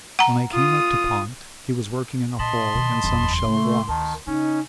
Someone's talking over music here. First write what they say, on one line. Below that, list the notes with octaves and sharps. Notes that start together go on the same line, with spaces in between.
When I came up to Pont he was working in a hole in some shell rocks.
F#5 A#5
F4 D#6
A#2 D#5 A5 B5 C6
B2 D#3
F#1 E2
C#3 A3
D2 D#3 A5
C#3 C#4 D#4